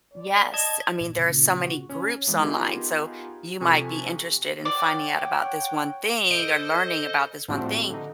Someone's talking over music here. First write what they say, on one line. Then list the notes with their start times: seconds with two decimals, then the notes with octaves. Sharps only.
Yes. I mean, there are so many groups online, so, you might be interested in finding out about this one thing or learning about this one thing
0.13 D5
0.54 D#5 A5 G#6
1.01 A#2
1.18 C#3
1.48 F#4
1.89 C#4
2.28 E3 G#3 B3
2.42 B3 D#4 F4 G4 G#4 A#4
3.61 C3 F3 A4 G#5 C#6
4.65 C#5 D5 F#5 G5
6.31 A4 C5 D#5 D7
7.48 A2 F3 G3 A3 C4 F#4
7.90 D3 D#4